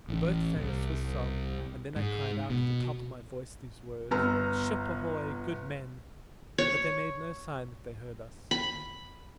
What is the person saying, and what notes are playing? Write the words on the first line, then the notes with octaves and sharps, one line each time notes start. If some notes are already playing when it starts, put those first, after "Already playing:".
We both sang a Swiss song, and then I cried out at the top of my voice these words: "Ship ahoy! good men!" But they made no sign that they heard us.
A1
C2
G#2
B2
G1 B3 A#5 E6 F6
C#5
B5